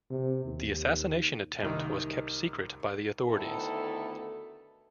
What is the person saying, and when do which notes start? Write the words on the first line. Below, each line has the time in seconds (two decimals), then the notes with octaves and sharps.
The assassination attempt was kept secret by the authorities.
0.10 C3
0.44 D#2
1.63 C2 D#3 D#4
3.27 D2 D#3 B3 E4 A4